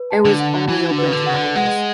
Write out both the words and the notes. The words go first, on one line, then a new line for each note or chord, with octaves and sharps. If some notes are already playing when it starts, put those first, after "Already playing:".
It was only open to miners.
Already playing: B4
A5
D3
F#5
E3 F#4
D3
B4
C#3
D3
C#3 F#5
D3
G#3 F#5